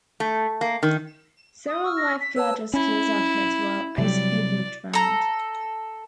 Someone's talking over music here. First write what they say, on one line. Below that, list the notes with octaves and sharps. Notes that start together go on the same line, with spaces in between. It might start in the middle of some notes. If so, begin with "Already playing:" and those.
Several life guard rescues occurred, while eight people drowned.
A3
A#3
D#3
D#6
C#6 E6 F6
A#6
B6
B4 C#5 A5 E6
C#4 E4
C3 F#3 G3 D5
A4 A#5